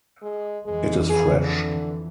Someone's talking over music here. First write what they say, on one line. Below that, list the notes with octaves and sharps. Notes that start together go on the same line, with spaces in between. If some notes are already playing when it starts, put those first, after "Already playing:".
It is fresh.
G#3
F2 E3 G#3
G#4
D3